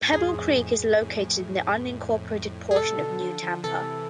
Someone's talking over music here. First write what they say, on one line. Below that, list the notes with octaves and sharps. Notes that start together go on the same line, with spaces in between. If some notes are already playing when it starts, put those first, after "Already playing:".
Pebble Creek is located in the unincorporated portion of New Tampa.
A2
E2 G#2 G#4
F2 A2
G#2
F2 A2
F2 A2
F2 A2
G#4
A2 C3 A4
B2 D3
D3 F3
D3 F3
C3 E3 A4